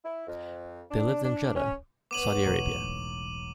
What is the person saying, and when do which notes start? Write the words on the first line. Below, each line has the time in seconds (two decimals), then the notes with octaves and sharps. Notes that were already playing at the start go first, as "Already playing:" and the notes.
They live in Jeddah, Saudi Arabia.
0.04 E4
0.27 F2
0.90 D4
1.23 D4
1.55 C#4
2.11 B3 C#5 D6 D#7 F#7
2.46 E1 B1 A2 A#5